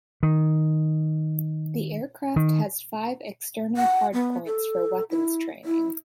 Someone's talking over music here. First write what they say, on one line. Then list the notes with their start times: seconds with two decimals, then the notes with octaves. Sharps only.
The aircraft has five external hardpoints for weapons-training.
0.23 D#3
2.36 D#3
3.77 F#5
4.13 B3
4.46 A4
5.10 E4
5.65 E4